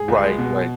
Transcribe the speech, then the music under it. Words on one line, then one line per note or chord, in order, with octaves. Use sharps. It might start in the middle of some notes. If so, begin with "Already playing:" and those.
Right, right.
Already playing: G#4
C#2
G#3
B2